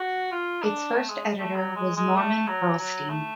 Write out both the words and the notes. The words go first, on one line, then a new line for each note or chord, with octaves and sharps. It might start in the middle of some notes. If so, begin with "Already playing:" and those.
Its first editor was Norman Pearlstine.
Already playing: F#4
F4
D4
A3
G#3
A3
F#3
G#3
G#3
A3
F#3
F#3
A3